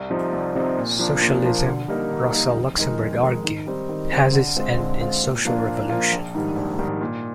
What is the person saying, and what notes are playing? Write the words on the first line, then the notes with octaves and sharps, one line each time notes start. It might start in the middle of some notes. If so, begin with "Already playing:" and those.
Socialism, Rosa Luxemburg argued, has its end in social revolution.
Already playing: C2
C3 F3 C4 D#4
C2
C3 F3 C4 D#4
A#2
F3 A#3 D4
A#2
F3 A#3 D4
D3
G3 A#3 D#4 A#4
D3
G3 A#3 D#4 A#4
F2
D#3 G#3 D#4 A#4
F2
D#3 G#3 D#4 A#4
D#3
G3 C4 D#4
D#3
G3 C4 D#4
D3
G#3 C4 F4
D3
G#3 C4 F4
A#2
F3 A#3 D4 F4
A#2
F3 A#3 D4 F4
A#1
G#2 D#3 G3
A#1
G#2 D#3 G3
A#2